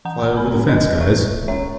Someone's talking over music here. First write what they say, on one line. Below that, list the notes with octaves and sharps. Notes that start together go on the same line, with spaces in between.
Fly over the fence guys!
E3 F#5 A#5
A#5
G#5 B5
G#3 C#4
B4 D#5
E3 C#5 E5
G#3 C#4 C#5 E5